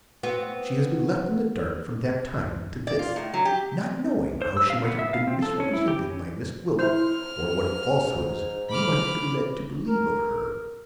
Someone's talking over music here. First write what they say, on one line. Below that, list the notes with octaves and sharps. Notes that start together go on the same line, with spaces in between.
She has been left in the dark from that time to this, not knowing how she might have been misrepresented by Miss Gwilt, or what falsehoods you might have been led to believe of her.
B3 C4 F#4
D5
F4
A2
F#3
G4
C5
E6
F5
B3
E5
F5
C4
A4
C#4
E4
G4
C#4
E4 C5 F6
G#2
B5 D6 F6
A#4